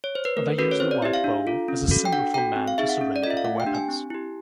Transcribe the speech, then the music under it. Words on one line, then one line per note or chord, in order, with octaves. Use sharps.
They use the white bow as a symbol for men to surrender their weapons.
C#5
C5
B4
A3 A#4
C#4 F#4 A4 B4
C#5
C4 C5
D5
E4 G4 E5
F5
D4
F4 A4
C#4
F#4 A4
G5
D4 F#5
F#4 A4 G5
C4
F5
D#4 G#4 E5
F#5
C#4
D5
F4 A4 D#5 E5
F5
A3 F#5
G5
D4 G4
G#5
C4
E4 G4